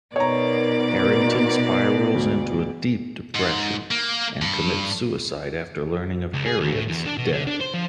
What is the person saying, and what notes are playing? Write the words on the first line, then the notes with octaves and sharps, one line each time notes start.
Harrington spirals into a deep depression and commits suicide after learning of Harriot's death.
B2 D#4 A#4 C#5 D5 A#5
D2
G#2
A#3
G2
C#2
G#4
D#2
A2
E2
D4
B2
D3
D4
C5
F3